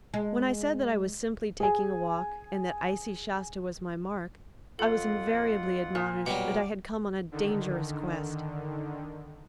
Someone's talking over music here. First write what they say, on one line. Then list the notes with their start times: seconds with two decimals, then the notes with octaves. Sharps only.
When I said that I was simply taking a walk, and that icy Shasta was my mark, I was invariably admonished that I had come on a dangerous quest.
0.14 G#3
1.60 G#4 G#5
4.79 F2 F4 A4 F#5
5.95 A#2
6.26 B2 F#3 G3 F#5 D6
7.32 D3 D#3